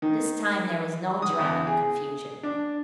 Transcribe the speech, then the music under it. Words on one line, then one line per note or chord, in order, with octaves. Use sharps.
This time there was no drowning the confusion.
D#3
D#6
E2
G#4
D4